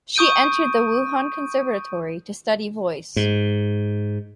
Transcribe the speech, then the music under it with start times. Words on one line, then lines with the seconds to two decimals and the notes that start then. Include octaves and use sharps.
She entered the Wuhan Conservatoire to study voice.
0.16 C#6 D#6 G6 D7 D#7
3.16 G#2